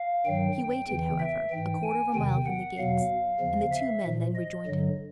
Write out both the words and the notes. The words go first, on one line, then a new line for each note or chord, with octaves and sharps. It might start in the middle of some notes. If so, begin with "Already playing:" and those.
He waited, however, a quarter of a mile from the gates, and the two men then rejoined him.
Already playing: F5
G2 D#3 F#3 G5
G5
E2 C#3 E3 G5
E5
G#2 E3 G5
G#5
E2 C3 D#3 G5
F#5
E2 B2 F#3 F5
E2 C#3 F3
E5
A#2 F3
D#5
G2 D3 F#3